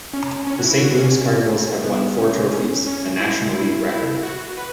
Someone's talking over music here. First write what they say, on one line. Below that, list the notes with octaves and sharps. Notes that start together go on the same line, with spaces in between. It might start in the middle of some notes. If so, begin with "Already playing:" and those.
The Saint Louis Cardinals have won four trophies, a National League record.
C#4
C#4
F#4
E4
F#4
C#4
B3
C#4
C#4
C#4
E4
E4
E4
F#4
B4